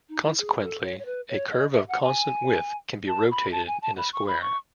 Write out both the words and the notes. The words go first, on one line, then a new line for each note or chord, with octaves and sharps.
Consequently, a curve of constant width can be rotated in a square.
D#4
E4
G#4
A4
C#5
C#5
B4
C#5
D#5
E5
F#5
G#5
A5
B5
A5
G#5
A5
B5
C#6
B5
C#6